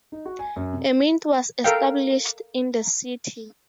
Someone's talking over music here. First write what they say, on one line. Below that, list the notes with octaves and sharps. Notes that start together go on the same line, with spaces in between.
A mint was established in the city.
D#4
F#4
G#5
F#2
C3
A4 A#4 F5 G5